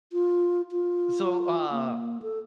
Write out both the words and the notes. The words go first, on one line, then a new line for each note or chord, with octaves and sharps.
So, uh,
F4
F4
A#3
A4